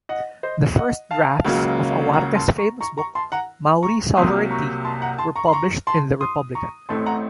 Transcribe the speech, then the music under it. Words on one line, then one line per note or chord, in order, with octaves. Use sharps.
The first drafts of Awatere's famous book "Maori Sovereignty" were published in "The Republican".
D#5 F#5
C5 D#5
D#5 F#5
F5 A5
C#2 C#3 F#3 A#3
F#5 A#5
A5 C6
A#5 C#6
A#5 C#6
A#5 C#6
A5 C6
F#5 A#5
A#5 C#6
C2 C3 F#3 A#3 C6 D#6
A#5 C#6
A5 C6
F#5 A#5
A5 C6
A#5 C#6
C6
A#5 C#6
A5 C6
C6 D#6
A#5 C#6
A1 A2 A3 C4 A5 C6
F#5 A#5